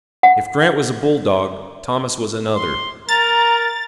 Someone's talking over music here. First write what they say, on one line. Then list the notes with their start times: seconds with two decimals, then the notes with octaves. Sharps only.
If Grant was a bulldog Thomas was another.
0.23 F#5
2.56 C6
3.09 A#4 A#5 A6